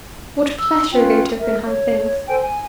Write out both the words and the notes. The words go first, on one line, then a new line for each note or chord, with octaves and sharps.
What pleasure they took in high things!
E6
C#4 F4 B4 G5
A#4 E5
C#5
A4 C5 G5 G#5
G#5